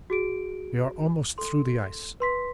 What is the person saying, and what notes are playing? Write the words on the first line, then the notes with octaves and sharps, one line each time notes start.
We are almost through the ice.
F#4 G#4 D7
A4 C6
B4 C6 B6